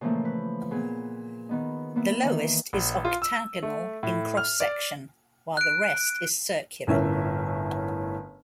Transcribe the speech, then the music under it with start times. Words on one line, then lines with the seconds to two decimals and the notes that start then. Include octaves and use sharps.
The lowest is octagonal in cross section while the rest is circular.
0.01 A#2 C#3 E3 F3 A3 A#3
0.25 B4
0.71 A#2 B3 G#4 A#4
1.49 D#3 B3 D#4
1.96 A#3 B3 E4
2.22 D#3 E3 B3 D#4
2.73 A#1
3.05 F4
3.22 E6
3.63 A3
4.03 A2
4.37 F6
4.60 D5
5.57 F#6 D7
6.87 G1 A2 C#4 A#4 E5